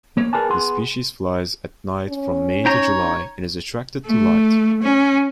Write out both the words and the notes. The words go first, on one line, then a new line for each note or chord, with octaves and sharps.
The species flies at night from May to July and is attracted to light.
A#3 C#5
G#4 A#4 B4 D5 G#5 A5
B3 G#4 C6
C#4
D#4 C#5 G5 A#5
A3
C#4